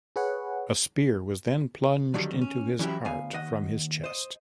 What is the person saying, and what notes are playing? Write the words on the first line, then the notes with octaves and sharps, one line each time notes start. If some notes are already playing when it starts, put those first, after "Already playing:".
A spear was then plunged into his heart from his chest.
G#4 B4 C#5 F#5
F2 D3 D#3 F#3 G3
C#4
E3 F#3 C#4 D4 E4 G4
D2 B3 F5 G#5
D#2 D#5 F#5
C5 D#5